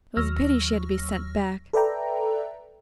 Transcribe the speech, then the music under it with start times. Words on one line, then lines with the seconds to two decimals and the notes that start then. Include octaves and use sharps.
It was a pity she had to be sent back.
0.17 D#2 F#3 C#6 E6 F6 A#6
1.73 A4 B4 D5 E5 G5 A#5